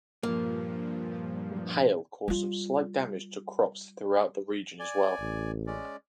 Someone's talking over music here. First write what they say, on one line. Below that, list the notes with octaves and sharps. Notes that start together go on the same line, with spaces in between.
Hail caused some slight damage to crops throughout the region as well.
G2 A#2 F3 A#3
G3 F4
D5 G#5
A1
G#3 C#4 D5